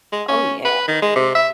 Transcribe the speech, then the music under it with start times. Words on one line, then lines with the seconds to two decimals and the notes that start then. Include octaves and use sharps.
Oh, yeah.
0.12 G#3
0.28 C#4
0.65 B4
0.88 D#3
1.02 G#3
1.16 C3
1.35 E5